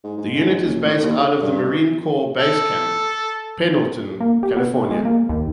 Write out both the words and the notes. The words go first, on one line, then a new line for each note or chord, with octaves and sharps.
The unit is based out of the Marine Corps Base Camp Pendleton, California.
G#2
G#2
G#2
F#1
A2
D#2
D3
G2
B2
A4
A#3
G4
B3
G#3
A#3
D#2